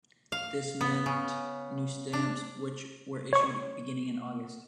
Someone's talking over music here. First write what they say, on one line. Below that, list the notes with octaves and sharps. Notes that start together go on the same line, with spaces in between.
This meant new stamps, which were issued beginning in August.
F5
B3
C#3
D4
C#5 C#6